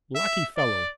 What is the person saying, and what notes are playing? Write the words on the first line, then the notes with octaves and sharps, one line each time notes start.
Lucky fellow!
E5
D5